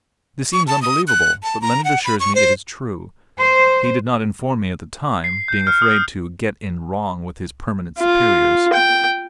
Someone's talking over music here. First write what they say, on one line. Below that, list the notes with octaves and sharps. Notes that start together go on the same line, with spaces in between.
This seems unbelievable; but Leonard assures me it is true. He did not inform me at the time, being afraid to "get in wrong" with his permanent superiors.
C#6
A5
D#6
F#6
A5
A#5
F#5
B5
C#6
C5
C5
C7
G6
F6
D#6
F4
G5